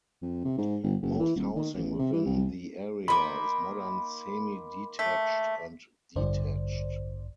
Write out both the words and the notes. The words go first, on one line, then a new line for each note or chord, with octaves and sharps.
Most housing within the area is modern semi-detached and detached.
F2
C3
G#2
G1
F#1
E3
D#1
D#3
A1
C3
E3
C2
D#3 A#3 B5 C6 D6
A3 B6
A1 E2 G2 D3 C5 D5